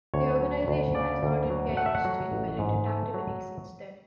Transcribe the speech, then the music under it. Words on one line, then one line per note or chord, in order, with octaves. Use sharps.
The organization has not engaged in militant activity since then.
D2 C#5
F#3
D2
C#3 D5
D2
F#3
A3 F#5
E5
F#5
F#3
A1
G#2
A3
F#3